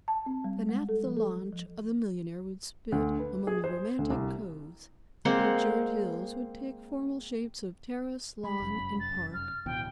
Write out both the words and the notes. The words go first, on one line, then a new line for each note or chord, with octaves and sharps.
The naphtha launch of the millionaire would spit among the romantic coves; the verdured hills would take formal shapes of terrace, lawn, and park.
A5
C4
G3
G#3
A4
F3
A4
F3
D2
B4
G#4
C5
D2
C2
G#3 A#3 C4 F#5
G#3 B5
F1 F#2
A6
F6
D1 B2 E3 G5